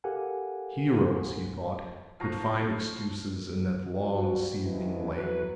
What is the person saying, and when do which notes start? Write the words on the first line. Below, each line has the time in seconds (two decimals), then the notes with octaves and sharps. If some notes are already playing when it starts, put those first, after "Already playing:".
Heroes, he thought, could find excuses in that long seething lane.
0.04 G4 A4 A#4 F5 F#5 G#5
2.20 F3 A#5 C#6
4.11 G3 C4 F4 F#4
4.62 D#2 C3 G#3 C#4 E4 B4
5.12 F#3 E4 B4